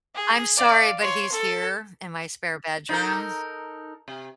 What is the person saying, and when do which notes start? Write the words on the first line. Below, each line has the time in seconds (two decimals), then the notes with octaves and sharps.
I'm sorry, but he's here in my spare bedroom
0.14 G#4
0.57 D5 F5
1.00 C#5 C6
1.32 A4
2.89 D#4 A4 A#4
4.08 C3